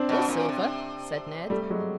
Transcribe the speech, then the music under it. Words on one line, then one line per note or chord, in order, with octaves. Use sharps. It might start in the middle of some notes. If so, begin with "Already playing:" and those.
"Or silver," said Ned.
Already playing: C4 D4
B2
A#2
C3
G3 A3
F#3 G#3